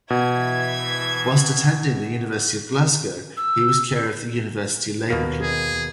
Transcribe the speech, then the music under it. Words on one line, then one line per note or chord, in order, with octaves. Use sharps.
Whilst attending the University of Glasgow he was Chair of the University Labour Club.
B2 E3 E5 G#6
E6
D#2 B2 A#3
G#4